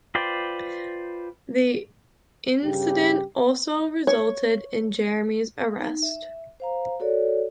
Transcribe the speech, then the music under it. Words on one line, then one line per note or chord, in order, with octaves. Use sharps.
The incident also resulted in Jeremy's arrest.
F4 B4 C5 D5 G5
G2 C#3 G4
C#5
D#4
E5
C5 F5 A#5
F#4 A4 A#4 C#5 D5